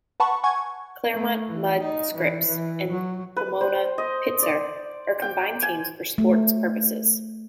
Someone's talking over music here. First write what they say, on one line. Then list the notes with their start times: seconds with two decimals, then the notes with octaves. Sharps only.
Claremont-Mudd-Scripps and Pomona-Pitzer are combined teams for sports purposes.
0.20 B4 F#5 A5 B5 C#6
0.43 F#5 G#5 C#6 G#6
1.14 A3
1.47 E3
1.79 D#4
2.16 E3
2.46 E3
2.92 F#3
3.36 B4
3.61 C5
3.98 D#5
4.43 D5
5.22 G5
5.62 G#5
6.18 A3